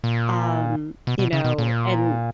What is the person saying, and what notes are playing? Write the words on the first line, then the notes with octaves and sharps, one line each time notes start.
Um, you know, and,
A#2
B2
B2
C#3
B2
A#2